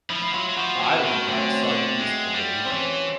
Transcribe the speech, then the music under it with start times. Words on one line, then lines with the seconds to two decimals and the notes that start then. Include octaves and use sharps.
The island lies the south east of the atoll.
0.10 F3 E4
0.22 E4
0.33 F#3 F4
0.49 F#3
0.57 F3 F#4
0.75 C4
0.81 E3
0.93 B3
1.04 D#3
1.10 A3
1.28 D3 C4
1.37 C#4
1.47 C4
1.63 D3
1.99 G#3
2.34 G3
2.65 E3 C4 C#4